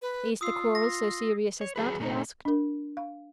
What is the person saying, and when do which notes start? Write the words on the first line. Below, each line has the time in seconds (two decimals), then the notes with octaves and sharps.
"Is the quarrel so serious as that?" he asked.
0.02 B4
0.41 F4 D#6 E6 C7
0.75 A#6
1.61 C#5
1.76 F#3 G#4 B4
2.00 A#2 A3 C#4 D#4
2.45 D4 A#4
2.97 F5